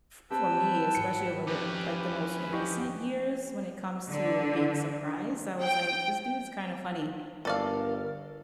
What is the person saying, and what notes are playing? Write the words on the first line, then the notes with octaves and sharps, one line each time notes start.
f for me, especially over the like, the most recent years when it comes to being surprised, I was like, "This dude's kinda funny."
C4 G4 B4 G5 A5 E6
G#1 C#7
F2 C#4 G4 B4 D6
G4 D#5 C#6 D#6
D3
G5
G1 A4 A#4 D5 F5